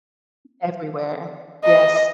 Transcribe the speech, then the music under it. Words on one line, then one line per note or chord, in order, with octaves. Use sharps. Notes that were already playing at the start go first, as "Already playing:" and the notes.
Everywhere. Yes.
D#5